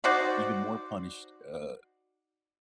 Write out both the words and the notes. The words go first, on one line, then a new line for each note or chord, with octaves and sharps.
even more punished, uh,
D#4 F#4 C5 D5